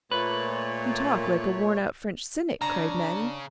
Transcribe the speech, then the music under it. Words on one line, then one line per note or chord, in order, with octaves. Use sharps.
"You talk like a worn-out French cynic," cried Mattie.
A#2 A3 B4 C#5
C#3 D4 A#5